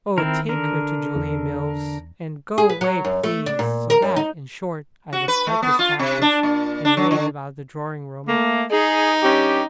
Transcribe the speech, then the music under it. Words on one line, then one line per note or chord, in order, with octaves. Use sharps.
Oh, take her to Julia Mills, and go away, please! So that, in short, I was quite distracted, and raved about the drawing-room.
D#3 C4 E4 A#4
D3 A#4
E2
G#4
B4
F#3
F#2
A3
D4
A#2
A#4
F#2
D#4
F#4
B4
A3
B3
F4
C3
D4
A#2
D4
F#3
D3
A3 A#3
D#4 G#4
G2 C#4 G4